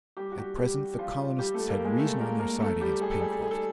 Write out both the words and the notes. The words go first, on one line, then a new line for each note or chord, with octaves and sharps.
At present, the colonists had reason on their side against Pencroft.
G3 G4
F#4
G3 G4
G3 G4
F3 F4
G3 G4
A3 A4
A#3 A#4
G#3 G#4
A3 A4
A#3 A#4
A#3 A#4
A3 A4
G3 G4
G#4
A4
G#4
A4
G#4
A4